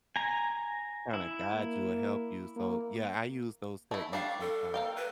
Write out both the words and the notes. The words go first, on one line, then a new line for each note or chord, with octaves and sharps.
kinda guide you or help you, so, yeah, I use those techniques sometimes.
G#5 A#5
E4
A#3
A#3
A3 E4
G3 A3 D4 F5
A4
A#3 F5 G5
B4